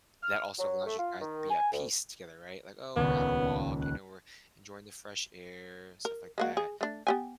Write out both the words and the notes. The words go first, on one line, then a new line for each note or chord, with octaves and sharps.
That also allows you guys to be at peace together, right, like, "Oh, we're at a walk." You know, "We're enjoying the fresh air," stuff like that.
F6
F#3
A3
F4
D#3
G#5
D2
D#1 C#2 B3
F#6
A#4
G#3 A#3 F#4
G#4
A3 D4
B3 G4 G#5